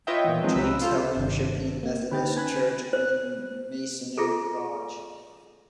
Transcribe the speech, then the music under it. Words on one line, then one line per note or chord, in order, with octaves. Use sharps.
James held membership in the Methodist Church and the Masonic Lodge.
F4 B4 C#5 D#5 E5 G5
E2 A#2
F3 F#3 G#3 C4 D#4
C#2 B4 E6
F4 A4 C5
G1 C3 D#3 D4
A#3
D3 C#4 D#4 B4 G5 A6
G#5 B5 F#6
C5
F4 G#4 A4